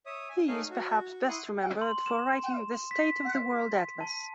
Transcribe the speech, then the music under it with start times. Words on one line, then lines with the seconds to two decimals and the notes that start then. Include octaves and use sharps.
He is perhaps best remembered for writing "The State Of The World Atlas".
0.06 C#5 E5 D#6
0.29 G#5
0.48 A3 D#4 C#5 F5 G#5
0.70 F#4
1.28 E4 F#5 C6 C#6 D#6
1.81 C6
2.06 E7
2.91 B6
4.01 A5